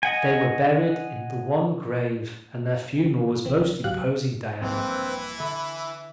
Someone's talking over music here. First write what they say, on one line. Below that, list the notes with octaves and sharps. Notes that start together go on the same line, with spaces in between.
They were buried in the one grave and their funeral was most imposing, Diana.
D#5 F#5 G#5
B1 E3 C4
G#1 C#2 F#3 G4 F5 F#6
A#1 G2 E3 C4 E4 B4
D3 E5 B5